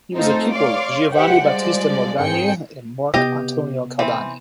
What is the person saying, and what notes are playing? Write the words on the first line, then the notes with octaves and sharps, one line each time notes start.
He was a pupil of Giovanni Battista Morgagni and Marc Antonio Caldani.
A3 C4 D#4 F4 A4 C5
C#5 D5 F5 C6 D6
G4 B4 C5 E5 F#5 G5
F3 G3 G#3 D5
D#2 G#2 C4 G#4 G5 C#7
C3 B3 G4 D#5
E3 C4